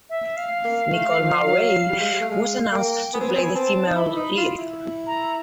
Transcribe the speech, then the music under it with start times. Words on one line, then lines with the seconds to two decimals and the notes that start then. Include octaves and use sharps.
Nicole Maurey was announced to play the female lead.
0.10 E5
0.37 F5
0.65 A#3
0.93 A3
1.11 E3
1.20 F3
1.47 F#3
1.89 G3
2.00 G#3
2.12 G3
2.21 A3
2.31 G#3 F5
2.72 A#3 G5
3.13 B3 G#5
3.20 C4
3.28 B3
3.35 C4
3.43 B3
3.55 C4 A5
3.87 D#4
3.96 E4 B5
4.16 D#4
4.38 F4
4.58 E4
5.07 A#5